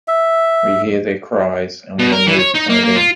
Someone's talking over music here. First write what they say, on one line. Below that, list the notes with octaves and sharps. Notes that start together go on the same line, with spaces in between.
We hear their cries and are moved by them.
E5
B2
A#4
E3
C#5
D#4
A#3
A#3
F4